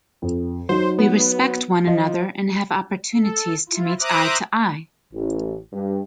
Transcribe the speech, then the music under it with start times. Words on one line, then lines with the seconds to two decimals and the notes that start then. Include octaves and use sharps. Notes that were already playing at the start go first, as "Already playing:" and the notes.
We respect one another and have opportunities to meet eye-to-eye.
0.22 F2
0.69 F#3 D#4 F#4 C5
0.98 B3
1.87 F3 D#5
3.14 A4
3.69 E4 F4
4.00 C5 E5 A#5 D6 D#6 F#6
5.13 A1
5.73 G2